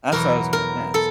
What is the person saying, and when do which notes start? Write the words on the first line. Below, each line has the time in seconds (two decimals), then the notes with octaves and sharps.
That's what I was gonna ask.
0.12 E2 B2 F#3 A#4
0.53 A#4
0.94 A4